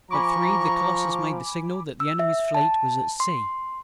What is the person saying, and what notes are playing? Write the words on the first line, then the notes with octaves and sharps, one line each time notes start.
At three the Colossus made the signal that the Enemy's Fleet was at sea.
F3 G#5 A#5 B5 C#6 D6
E6
E5
A5
C6